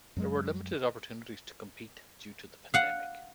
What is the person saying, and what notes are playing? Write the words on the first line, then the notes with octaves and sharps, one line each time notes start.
There were limited opportunities to compete due to the pandemic.
F#2 F#3 G#3
F5 F#5